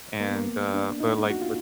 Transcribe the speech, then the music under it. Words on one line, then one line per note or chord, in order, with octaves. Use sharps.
and, uh but, like, with
A#3
B3
A#3
D4
D#4
F#4
F4